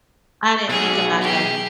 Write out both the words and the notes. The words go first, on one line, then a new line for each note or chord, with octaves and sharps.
I didn't think about that.
B2 F#3 G#4
G4 G#4